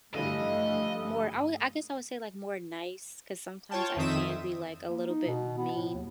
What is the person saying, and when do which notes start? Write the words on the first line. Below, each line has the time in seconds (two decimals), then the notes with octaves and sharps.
more I would, I guess I would say, like, more nice 'cause sometimes I can be, like, a little bit mean,
0.14 G2 D3 E3 F3 G3 A3 D#5 F5
3.71 F4 C#5 G5 A5
3.96 F2 D#3 C4 E5 D#6 E7
4.88 A#3
5.08 D#4
5.27 B2
5.57 B3
5.75 A2
5.94 D#2